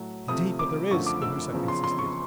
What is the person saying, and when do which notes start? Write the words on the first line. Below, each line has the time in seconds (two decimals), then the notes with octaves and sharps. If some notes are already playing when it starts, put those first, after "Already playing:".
"Indeed, but there is," Cahusac insisted.
Already playing: A2 F#3 A3
0.28 C3 F3 A3 D#6
0.59 D6
0.91 F#2 D3 F3 A3 C#6
1.06 D6
1.22 E6
1.52 E2 C#3 F3
1.68 C6
1.84 C6
1.99 C#6